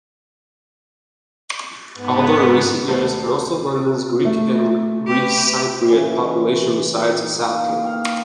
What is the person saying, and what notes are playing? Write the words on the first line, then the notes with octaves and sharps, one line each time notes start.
Although in recent years, most of London's Greek and Greek-Cypriot population resides in Southgate.
G#2 B3
D#1 A3 B3 C5
A3
G4 B4
C#3 E3
D#4
A#3
F5 G5